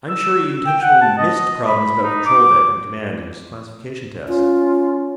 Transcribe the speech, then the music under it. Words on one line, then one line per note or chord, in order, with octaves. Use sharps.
I'm sure he intentionally missed problems about control deck and command in his classification test.
E6
G5
F#5
A5
D#5
B5
D#4
D6
C#4 F4